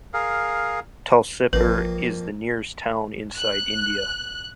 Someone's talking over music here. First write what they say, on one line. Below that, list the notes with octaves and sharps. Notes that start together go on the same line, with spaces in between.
Tulsipur is the nearest town inside India.
G#4 A#4 F5
A1 F2 A#3 B4
F#6